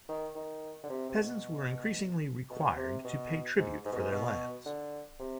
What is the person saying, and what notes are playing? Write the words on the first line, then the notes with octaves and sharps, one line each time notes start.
Peasants were increasingly required to pay tribute for their lands.
D#3
D#3
D3
C3
C3
B2
B2
C3
B2
G#2
G#2
B2
G#2
B2
D3
C3